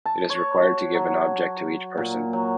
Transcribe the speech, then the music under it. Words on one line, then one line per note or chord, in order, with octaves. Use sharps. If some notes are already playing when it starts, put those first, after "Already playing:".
It is required to give an object to each person.
A5
C#5
F#4
F#3
A#2
F#3